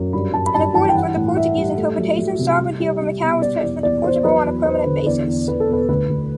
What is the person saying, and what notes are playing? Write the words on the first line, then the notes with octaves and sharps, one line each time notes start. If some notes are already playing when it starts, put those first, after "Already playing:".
In accordance with the Portuguese interpretation, sovereignty over Macau was transferred to Portugal on a permanent basis.
Already playing: F#2
G2 B5
G2 A5
B5
G2 A5
E3 A5
G5
E3 F#5
A2
A2 E5
G3
A3
F#3
F#3
C3
G3
G3
G3
B2
G3 D5
E2 D5
E2 D5
E2 C5
F#3 B4
E2
E2 C5
D3
E2 D5
E2
E2 B4
A4
B2 B4
D2 B4
D2